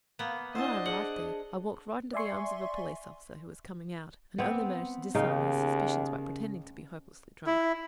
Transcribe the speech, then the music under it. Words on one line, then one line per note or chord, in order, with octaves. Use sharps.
When I arrived there, I walked right into the arms of a police-officer who was coming out, and only managed to disarm his suspicions by pretending to be hopelessly drunk.
A#3 B3 F5
A#3 D4 E4 C5 D#5 F#5 A5
G#4 F#5 A5
D5 E5 G#5 C6 C#6
B3 C4
D#2 C#3 D#4
E4